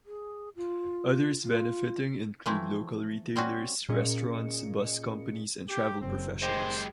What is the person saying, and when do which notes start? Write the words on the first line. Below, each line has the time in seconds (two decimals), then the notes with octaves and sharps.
Others benefiting include local retailers, restaurants, bus companies and travel professionals.
0.06 G#4
0.56 F4
1.43 F4
2.46 E3 F3 A3 C4 E4
3.36 G3 C4 C#4 F#4
3.89 A#2 C#4 G#4 D#5 C#7
5.69 G4
6.01 F#1 C4
6.42 D#3 G#3 G4 C5